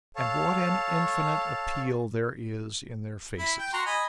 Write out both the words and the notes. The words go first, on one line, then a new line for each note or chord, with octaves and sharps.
And what an infinite appeal there is in their faces!
A4 C#5 F5 A5
E4
G5
F#4 A#5 C6
D#5 G#5 B5